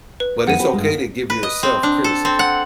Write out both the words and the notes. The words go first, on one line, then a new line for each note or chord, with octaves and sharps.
but it's okay to give yourself criticism,
B4
F2 G#3 B3 F#5 D#7
C4 G4 B4
G2 G#3
A#3
B4
D#5
C4
D4
A4
C4
F#5